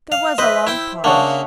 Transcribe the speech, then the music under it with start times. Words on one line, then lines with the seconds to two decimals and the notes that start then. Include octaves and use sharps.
There was a long pause.
0.12 F5
0.38 B4 C5 D#5 E5
0.67 E4 G5
1.04 C#3 A#3 D4 F#5 C#6